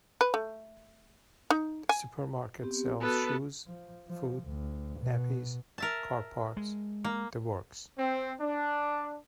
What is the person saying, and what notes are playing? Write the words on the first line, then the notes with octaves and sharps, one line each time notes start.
This supermarket sells shoes, food, nappies, car parts... the works!.
B4
A3
D#4
G#5
B3 C4 G4
B3 F#4 A4 B4
F3
F3
D2
B2
A#4 E5 A5
G#3
A#3
C4
D4